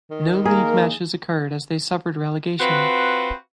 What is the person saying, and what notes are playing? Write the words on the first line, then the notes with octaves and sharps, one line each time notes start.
No league matches occurred as they suffered relegation.
D#3
A#3 G#4 A#4
C4 F4 F#4 B4